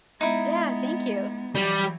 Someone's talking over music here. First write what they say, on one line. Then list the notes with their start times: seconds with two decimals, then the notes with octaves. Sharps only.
Yeah, thank you.
0.21 G#3 B3 D#4 E4
1.55 E3 F#3 G3